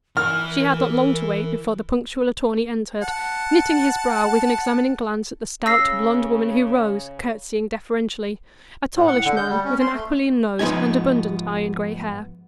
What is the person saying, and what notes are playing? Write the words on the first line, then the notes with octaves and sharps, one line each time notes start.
She had not long to wait before the punctual attorney entered, knitting his brow with an examining glance at the stout blond woman who rose, curtsying deferentially,--a tallish man, with an aquiline nose and abundant iron-gray hair.
E3 E4 A#4 F6
F#5 A5
C#3 E6 A#6 C7
A2
F#5
D3
G6
G3
C#4
C6
A3
G#2 F3 A3 B3 D#4 G#5